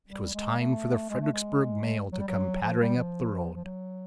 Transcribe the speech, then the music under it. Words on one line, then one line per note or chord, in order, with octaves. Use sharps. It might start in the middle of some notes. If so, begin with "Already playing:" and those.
It was time for the Fredericksburg mail to come pattering up the road.
G3
G#3
A3
G#3
A3
G#3
F#3
G3
F#3
F3
G3
F3
F3
F#3